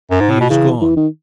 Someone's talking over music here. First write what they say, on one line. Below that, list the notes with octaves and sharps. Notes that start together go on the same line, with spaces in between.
He is gone!
F#2
G#2
A2
B2
C#3 E3
E3
D#3